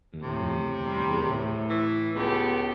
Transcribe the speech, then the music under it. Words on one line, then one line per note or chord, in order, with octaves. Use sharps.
Mhm. You will.
A2 C3
G3
A2
E3
C#2 B3 G4 A4